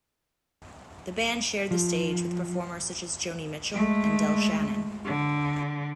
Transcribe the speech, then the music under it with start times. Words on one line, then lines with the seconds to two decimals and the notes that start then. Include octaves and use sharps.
The band shared the stage with performers such as Joni Mitchell and Del Shannon.
1.71 F3
3.73 G#3 A3
5.05 D3